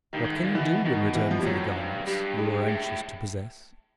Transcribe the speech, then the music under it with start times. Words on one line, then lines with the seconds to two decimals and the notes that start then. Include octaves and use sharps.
What can you do in return for the garments you are anxious to possess?
0.13 G2 D#3
0.24 G#2
0.35 A2
0.44 A#2
0.54 B2 E3
0.85 B2 D#3
1.15 E3
1.31 F3
1.39 A2 G3
1.46 A#2 F#3
1.56 A2
1.66 G#2
1.76 G2
2.06 G2 G3
2.38 G#3
2.68 A2